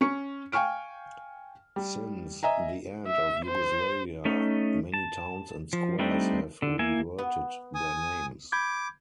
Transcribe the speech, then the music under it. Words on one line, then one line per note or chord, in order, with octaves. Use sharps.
Since the end of Yugoslavia, many towns and squares have reverted their names.
C#4 C#6 C#7
F5 G5 G#5 C#6 F6 D7
G3
D#5 E5 G#5 A#5
E5
C5
A3 C#4 D#4
A5
F3
G3 A3 C4 D4 D#4
D3
A#3 E4 G#5
B3
G#5 D#6
B5 D6 G6 G#6